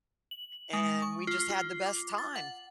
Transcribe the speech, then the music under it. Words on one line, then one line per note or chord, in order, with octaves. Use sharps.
and we just had the best time.
F#7
G#3
C#6
F4
F4
D6
A6
F#5